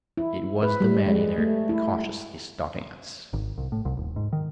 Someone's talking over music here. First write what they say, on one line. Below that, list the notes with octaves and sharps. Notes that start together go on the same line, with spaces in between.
It was the man-eater, cautiously stalking us.
E4
B4
G3
G#3
A3
E4
G#1
C2
A2
C2
D#1
G#2
D#3